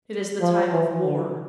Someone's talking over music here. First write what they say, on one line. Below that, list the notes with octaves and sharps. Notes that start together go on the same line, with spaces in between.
It is the time of war.
F3
E3
D3